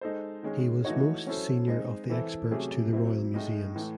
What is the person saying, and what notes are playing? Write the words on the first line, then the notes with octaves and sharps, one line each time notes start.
He was most senior of the experts to the royal museums.
G#3 D#4 A4 C5
D#3 G#3 C#4 G#4
E3 A3 D#4 F#4 C#5
F#3 C#4 E4 A4 C5
G#3 C4 D#4
E3 C4 E4 A4
C3 F#3 A3 C#4 G#4
F#3 C4 E4
A2 G#3 D#4
A2 E3 A3